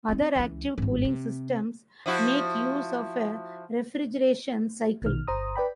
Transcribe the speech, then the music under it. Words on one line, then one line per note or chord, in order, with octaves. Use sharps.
Other active cooling systems make use of a refrigeration cycle.
C4 D#4
C#2 E3
G#1 G2
C3
F3 E4 F#4
A#1 B2 D#3 F6
G1 C5 A#5 D#6
B4 D5 G5 B5